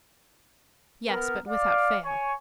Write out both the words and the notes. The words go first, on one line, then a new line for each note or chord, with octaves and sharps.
"Yes; but without fail."
B3 A#4
D5 F5
C#5 G#5 C#6